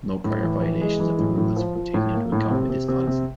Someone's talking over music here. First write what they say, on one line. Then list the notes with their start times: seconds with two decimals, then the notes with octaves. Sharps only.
No prior violations of the rules were taken into account with this policy.
0.24 A2
0.43 E3
0.62 E3
0.81 G#3
1.00 E3
1.19 A2
1.38 A2
1.56 F3
1.76 F3
1.94 A2
2.13 A#3
2.32 A2
2.51 C3
2.69 C3
2.88 C3
3.07 C3